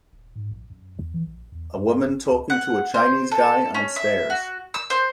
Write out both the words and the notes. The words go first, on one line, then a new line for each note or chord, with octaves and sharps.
A woman talking to a chinese guy on stairs.
D#1
G#2
A#1
F#2
E2
E3
A#1
E2
G2
G1
C#2
F#5
C5
A4
C#4
E5
F#4
E6
C5